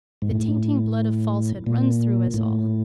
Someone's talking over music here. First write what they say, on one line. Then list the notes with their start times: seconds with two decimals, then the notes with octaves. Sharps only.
The tainting blood of falsehood runs through us all.
0.22 G#2
0.31 A2
1.66 A#2
2.34 A2